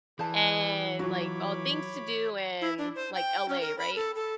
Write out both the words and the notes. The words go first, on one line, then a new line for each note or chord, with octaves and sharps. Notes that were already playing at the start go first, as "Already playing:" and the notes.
and like, "Oh, things to do in, like, LA," right?
E3 G#4 B4 C5 D5 A5 D#6
F#3 F4 F#4 C#5 B5 D6
E4
D4
C5
G5
C#4
A#4
B5
A4
A4